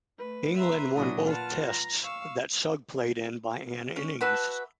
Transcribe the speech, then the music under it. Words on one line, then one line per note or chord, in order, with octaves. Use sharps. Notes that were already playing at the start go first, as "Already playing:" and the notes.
England won both Tests that Sugg played in by an innings.
A3 B4
B4 E5 A#5 C6
A#2 F#3 D4 E4 F#4 D#6
F4 B4 F#5 A5 F6
A#5
F5 C#6 E6
C#4
F#4 B4 E5 A5